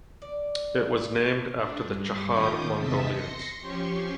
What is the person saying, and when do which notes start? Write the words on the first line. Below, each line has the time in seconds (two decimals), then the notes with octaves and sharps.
It was named after the Chahar Mongolians.
0.22 D5
1.56 D4
1.85 G2
2.29 D#3 C#4 F4 D6 D#6 G6
2.78 E2 C3 D#5 E5 A5 B6
3.11 C6 A#6 C#7
3.61 F3 C#4 G4 C6 C#6